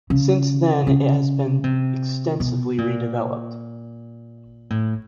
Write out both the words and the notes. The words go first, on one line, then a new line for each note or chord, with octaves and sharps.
Since then it has been extensively redeveloped.
C#3
C#3
C3
B2
A#2
A2